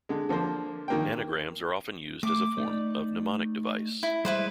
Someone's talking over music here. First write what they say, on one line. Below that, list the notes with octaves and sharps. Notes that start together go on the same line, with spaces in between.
Anagrams are often used as a form of mnemonic device.
D3 G#3
D3 F3 A#3 C5
D#3 A#3 G5
A3 D6
A3 D#4 D5
E4
G3 G#3 E4 B4 C5